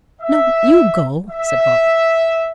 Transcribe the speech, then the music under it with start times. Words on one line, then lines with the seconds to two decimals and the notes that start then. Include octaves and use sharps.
"No, you go," said Robin.
0.21 E5
1.31 E5